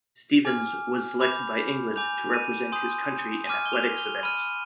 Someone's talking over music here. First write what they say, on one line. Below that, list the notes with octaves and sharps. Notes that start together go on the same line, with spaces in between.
Stevens was selected by England to represent his country in athletics events.
G#5 D6 F6
B5 D6 G6 F7
G#5 D6 G6 F7
D#7
G#5 C6 D#6 G6
G#5 D6 F6 D#7
G7
F7
G7
B5 F6 D#7